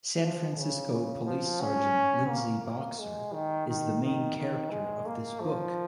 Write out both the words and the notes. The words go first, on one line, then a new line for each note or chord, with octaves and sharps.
San Francisco Police Sergeant Lindsay Boxer is the main character of this book.
F3
C#3
C#3
F3
C#4
A#3
A#3
G#3
D#3
D#3
D#3
D#3
G#3
A#3
F3